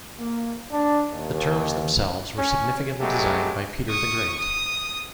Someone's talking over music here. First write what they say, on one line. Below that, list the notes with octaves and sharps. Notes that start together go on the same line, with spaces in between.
The terms themselves were significantly designed by Peter the Great.
A#3
D4
D#2
C#4
F#3 G#3 A3 B3 C#4 G4
C#6 D#6
D#6